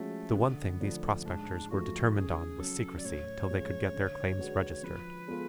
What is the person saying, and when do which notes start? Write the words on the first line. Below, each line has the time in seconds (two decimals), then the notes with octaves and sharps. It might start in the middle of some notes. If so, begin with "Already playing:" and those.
The one thing these prospectors were determined on was secrecy till they could get their claims registered.
Already playing: F3 G#3 A3 C#4 F#4
0.35 D3 B3
0.80 F3 A3 D4
1.25 G#2 D4
1.70 F3 A3 F4 F#4
2.15 C#3 G#4
2.59 F#3 C#4 A4
2.98 D5
3.04 A2 C#5
3.49 F3 G#3 C#4 F4
3.94 D3
4.38 G#3 D4 F#4 B4
4.83 F3 B4
5.28 G#3 B3 F4 A4